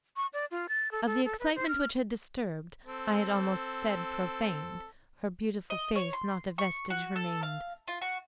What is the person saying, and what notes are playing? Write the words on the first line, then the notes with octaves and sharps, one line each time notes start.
Of the excitement which had disturbed--I had almost said, profaned--her beautiful face, not a vestige remained.
C#6
D5
F4
A6
A4
A4
A4
B4
C5
F6
C4 A4
D#5
C#5
C6
C#6
F#4
A4
F5
F4
F#4